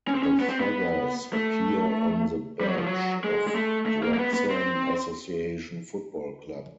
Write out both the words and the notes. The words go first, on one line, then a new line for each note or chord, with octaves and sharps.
The feathers appear on the badge of Wrexham Association Football Club.
C#4
C4
C#4
B3
C4
B3
A3
G3
F#3
F3
F#3
G#3
G#3
A3
A3
A#3
A#3
B3
B3
C4